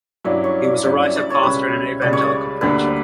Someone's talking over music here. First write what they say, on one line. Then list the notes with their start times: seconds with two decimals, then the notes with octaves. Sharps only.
He was a writer, pastor and an evangelical preacher.
0.24 G2 F#3 C#4 E4 D5
0.44 C#5
0.64 D5
0.84 G2 F#3 C#4 E4 D5
1.04 E5
1.16 D5
1.30 C#5
1.43 C#2 C#3 G3 B4
2.02 C#2 C#3 G3 D5
2.13 C#5
2.22 D5
2.61 D2 D3 G3 A#3 D4 B4